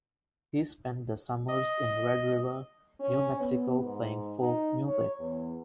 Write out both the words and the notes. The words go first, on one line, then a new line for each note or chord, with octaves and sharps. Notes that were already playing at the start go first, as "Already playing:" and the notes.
He spent the summers in Red River, New Mexico playing folk music.
D#5
C#4
B3
G#2
D#4
C#5
E2